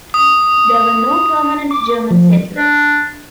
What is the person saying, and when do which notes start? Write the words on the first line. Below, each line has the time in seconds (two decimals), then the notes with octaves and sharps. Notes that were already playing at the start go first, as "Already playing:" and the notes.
There were no permanent German settlers.
0.14 D#6
1.71 D6
2.11 F3
2.56 D4